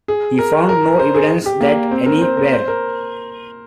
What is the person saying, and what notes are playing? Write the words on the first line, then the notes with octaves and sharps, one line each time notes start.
He found no evidence that any were.
G#4
A#4
A#4
C5
G#4
G4
A#3
C4
A#4
C5
A#4
C5
A#4